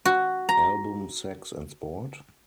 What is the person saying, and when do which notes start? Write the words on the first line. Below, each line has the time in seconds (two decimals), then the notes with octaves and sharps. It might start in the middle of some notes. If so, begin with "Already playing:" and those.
Album Sex and Sport?
0.05 F#4
0.49 A#5